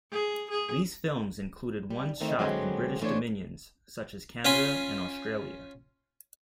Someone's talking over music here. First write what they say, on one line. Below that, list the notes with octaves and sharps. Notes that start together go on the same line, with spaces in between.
These films included ones shot in British dominions such as Canada and Australia.
G#4
G#4
G3
E2 D#3 A3 C4 D#4
D3 F#3 G#3 B3 C4
D3 E3 A3 D4 C5 C#5
C#4 F4 G#5 B5 C6